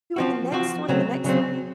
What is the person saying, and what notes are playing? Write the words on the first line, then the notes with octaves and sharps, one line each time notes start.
in the next one and the next one?"
F3 C4 F#4
F3 C4 F#4
C#3 F#3 C4
C#3 F#3 C4